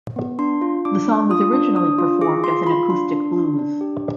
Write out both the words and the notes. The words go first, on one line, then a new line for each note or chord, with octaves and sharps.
The song was originally performed as an acoustic blues.
B3
D4 C6
F4
D4 D6
D4
F4 D#6
D4
D4 D#6
F4
G#4 D6
F4 C6
F4 B5
D4 C6
D4
D4
D4
G4